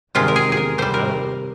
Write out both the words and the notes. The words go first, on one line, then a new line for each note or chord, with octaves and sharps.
Unless you're in the know.
C3 D#3 G#3 F4
A#4
G#4
G#4 A#4
C3 G3 C5
A#4